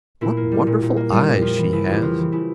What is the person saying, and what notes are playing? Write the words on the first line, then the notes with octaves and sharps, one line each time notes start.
What wonderful eyes she has.
A#2 E4
A#3
G3
A#2
A#2
A#3
G3
A#2
F2 F4
E3
C#3 E4
F2
G4
F2 F4
E3
C#3 E4